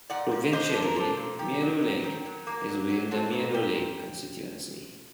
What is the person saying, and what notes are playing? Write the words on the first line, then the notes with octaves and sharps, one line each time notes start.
Provincially, Meadow Lake is within the Meadow Lake constituency.
A#2 D5 F#5
A#2
D4 C5 D#5
A4
A#2
A#4
D4 A4 C5
A#2
D#3 G4
F#3
D#3
D#3
F#3
A#3
F#3
F#3
C4 F#4 A4
A#2
A#2 G4